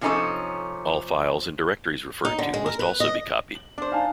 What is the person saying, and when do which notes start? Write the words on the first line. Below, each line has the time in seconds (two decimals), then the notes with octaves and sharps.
All files and directories referred to must also be copied.
0.01 C3 F3 C#4 D#4 A4 C#5
2.25 D#4
2.39 D3
2.54 G#3
2.66 A#4
2.79 B4
3.00 D#5
3.55 F#7
3.78 D4 C5 D6
3.92 D#4 F5 G#5 A5